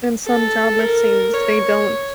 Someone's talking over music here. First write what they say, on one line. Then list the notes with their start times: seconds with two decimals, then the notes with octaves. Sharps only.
And some job listings, they don't
0.26 A4
0.80 A#4
1.33 C#5